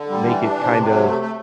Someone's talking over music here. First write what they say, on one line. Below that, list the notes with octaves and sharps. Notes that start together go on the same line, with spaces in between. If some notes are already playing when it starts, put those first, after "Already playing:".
make it kind of
Already playing: D3
G3
E3
D4
C3
C3
F#3
A3
A3